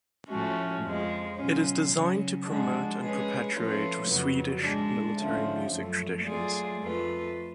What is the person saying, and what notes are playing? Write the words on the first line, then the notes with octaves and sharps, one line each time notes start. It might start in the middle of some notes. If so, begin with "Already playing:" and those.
It is designed to promote and perpetuate Swedish military music traditions.
A2 F3 A3 C#4 F#4
F2 F3 G#3
B2 F#3 C#4 F4
C#3 F#3 C#4
G#2 F3 G#3 D4 F#4
G#3 C#4 G#4 B4
F3 A3 C#4 F4 B4
F2 C#3 F#3 B3
G#2 G#3 D4
D3 F3 A3 C#4
F#2 F3 A3
F#3 A3 F4 G#4 D5
F2 F3 A3 F4 B4